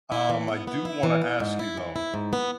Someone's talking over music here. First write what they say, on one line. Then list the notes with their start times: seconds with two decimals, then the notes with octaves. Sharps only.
um, I do wanna ask you, though,
0.12 E4
0.30 E3
0.48 B3
0.67 B3
0.85 E4
1.03 E3
1.22 B3
1.40 G#2
1.59 E4
1.77 E3
1.96 E4
2.14 G#2
2.33 B3